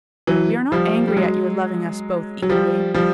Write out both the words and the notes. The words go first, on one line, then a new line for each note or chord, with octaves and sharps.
We are not angry at your loving us both equally.
E3 F#3
F3 G3
G3
F#3 G#3
F#3
F3 G3
F3 G3